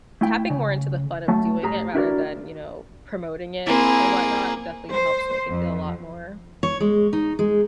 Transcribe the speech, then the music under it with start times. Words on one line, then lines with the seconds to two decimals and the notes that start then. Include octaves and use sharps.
Tapping more into the fun of doing it rather than, you know, promoting it and whatnot, definitely helps make it feel a lot more
0.21 A3 E4 G5
0.50 C#3
1.28 F#3 A3 A5
1.62 A2 G4 G#4 A#5
1.95 D4 E4 F#4 A#4 B4 D5
3.67 A#3 C4 E4 G#4
4.93 C5
5.48 F2
6.63 C#5
6.80 G#3
7.13 D#4
7.39 G#3